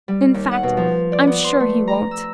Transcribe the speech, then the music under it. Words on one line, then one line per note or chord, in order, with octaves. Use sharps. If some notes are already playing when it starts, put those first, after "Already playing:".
In fact, I'm sure he won't.
G3
D#2
F#5
B2
F3
D5
B3
C6
A3
A#5
E6